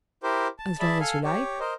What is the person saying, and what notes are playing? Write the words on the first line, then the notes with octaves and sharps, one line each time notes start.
"As long as you like."
E4 G4 A#4 C5
A5
G#4 D5 E5 A5 B5
A4 F5 G#5
G4 C#5
A#4 C5 D#5